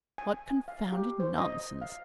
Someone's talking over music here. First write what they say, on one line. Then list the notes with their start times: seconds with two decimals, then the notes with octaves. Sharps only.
What confounded nonsense!
0.18 G#5
0.50 G#5
0.68 F5
0.92 G4
1.20 C5
1.38 D#5
1.81 F5